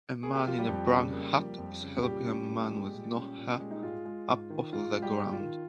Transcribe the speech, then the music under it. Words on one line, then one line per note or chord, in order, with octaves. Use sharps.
A man in a brown hat is helping a man with no hair up off the ground.
A#3 G#4
G4
F3 F4
G3 G4
F2
C#3
A#3
F3
F2
C#3
A#2 G3 G4
C#4
A#2
G#3
A#2
C#4
A#2
G#3
D#4
G#2 F4
G#3
G#2
D#3
G#2 F4
G#3
G3 G4
G#2
F4
D#3